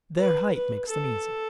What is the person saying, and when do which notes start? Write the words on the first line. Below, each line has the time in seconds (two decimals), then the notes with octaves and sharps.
Their height makes them easy.
0.18 B4
0.53 B4
0.88 A4